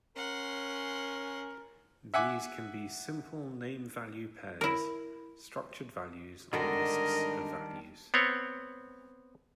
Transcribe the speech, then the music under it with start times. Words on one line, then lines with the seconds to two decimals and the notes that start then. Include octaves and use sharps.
These can be simple name-value pairs, structured values or lists of values.
0.17 C#4 A#4 F#5 C6
2.14 E5 F#5 G#5 D6
4.61 E4 A#4
6.53 G#2 D3 D#3 G3 D4 F#4 A#4 D#5
8.14 B3 C4 C#5